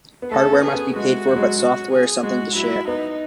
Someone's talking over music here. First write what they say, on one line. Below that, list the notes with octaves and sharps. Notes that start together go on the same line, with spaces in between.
Hardware must be paid for, but software is something to share.
B3
A3 A4
C#4
B3
G#4
B3
G#3 F#4
F#3
G#3
F#3
F#4
G#4
G#3 F#4
F#3 E4
B3 D#4